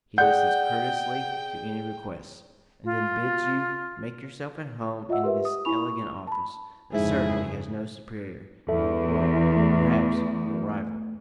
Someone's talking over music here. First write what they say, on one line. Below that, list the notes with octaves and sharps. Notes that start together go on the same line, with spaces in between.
He listens courteously to any requests, and then bids you make yourself at home in this elegant office, that certainly has no superior in the world, perhaps no rival.
G#4 D5 F#5 G5 G6
F4
F4 D#5 E5 F#5 E6
G4 A#4 B4 E5
D#6
E4 G#5 B5 C#6 F7
C#6
A5 B5
F2 G#2 C#3 E4 G#4
E2 A4 E5
A3